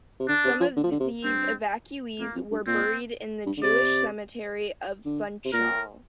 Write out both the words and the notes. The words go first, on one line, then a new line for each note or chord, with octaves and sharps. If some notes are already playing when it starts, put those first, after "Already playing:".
Some of these evacuees were buried in the Jewish Cemetery of Funchal.
C3
D3 D4
C3
F3
D3
F3
D3
C3
G2 C4
F2 A#3
F2
G2
A#2 C4
G2
D3
C3 D5
D3
C3
A#2 A#4